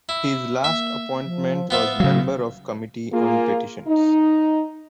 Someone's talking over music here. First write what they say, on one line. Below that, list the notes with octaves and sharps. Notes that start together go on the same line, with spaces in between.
His last appointment was member of Committee on Petitions.
E4
A#3 E5
F3
B3 F4 C5 E5
C#3 F#3 F5
A#3 F4 G#4
D#4